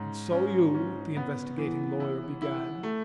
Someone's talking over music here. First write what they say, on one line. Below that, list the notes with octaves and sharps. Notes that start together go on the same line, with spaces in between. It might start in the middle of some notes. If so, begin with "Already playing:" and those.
"And so you--" the investigating lawyer began.
Already playing: G#2 C#4
C#4
C#4
B3
E3
E4
E4
A3